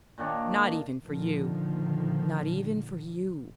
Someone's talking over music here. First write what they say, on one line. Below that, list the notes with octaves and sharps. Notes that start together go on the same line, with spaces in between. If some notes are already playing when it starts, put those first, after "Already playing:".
Not even for you--not even for you.
A#2 D#3 D4 C#5
A#2 D3 D#3 F3